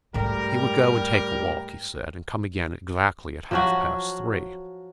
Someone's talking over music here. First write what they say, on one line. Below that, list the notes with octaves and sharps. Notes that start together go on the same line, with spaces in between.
He would go and take a walk, he said, and come again exactly at half-past three.
G#2 G3 A3 G4 A#4
F3 F#3 F#4